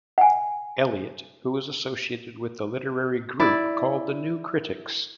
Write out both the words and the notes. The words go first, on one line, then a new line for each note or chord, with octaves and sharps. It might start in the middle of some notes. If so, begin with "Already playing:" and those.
Eliot, who is associated with the literary group called the New Critics.
F#5 G#5
E4 D5